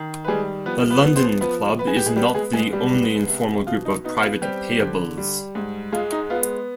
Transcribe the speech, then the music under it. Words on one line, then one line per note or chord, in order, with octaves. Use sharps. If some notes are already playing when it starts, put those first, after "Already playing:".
The London Club is not the only informal group of private payables.
Already playing: D#3
B4
G3 G#3 G#4
F3 B3 B4
B3 B4
B3
C4 C5
F3 B3 B4
B3 B4
G#4
G4
G#3 G#4
G3 B3 G4
G#3 G#4
G#2 G#3 G#4
G3 G4
B3
C3
B2 F4
D#4
B3 D#4
F4
G3 C4 G4
D3
G3
G#2
G#3 F4
D#4
B3 F4